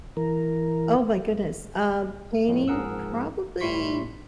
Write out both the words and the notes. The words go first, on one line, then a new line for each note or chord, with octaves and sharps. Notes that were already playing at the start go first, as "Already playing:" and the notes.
Oh my goodness, um, painting probably
E3 A#4
F2 A2
G#2 F3 G#4 A#4 F#5 E6
A2 G3 E4 C6 C#6 B6